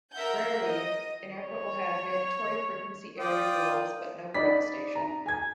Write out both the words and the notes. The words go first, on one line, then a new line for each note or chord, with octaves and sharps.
Rarely, an airport will have Mandatory Frequency Area rules, but no ground station.
A#4 E5 F#5 G6
D#5
C#5
F4 D5 G5 D#6
D#4 D5 B5 B6
A#5
G#5 G#6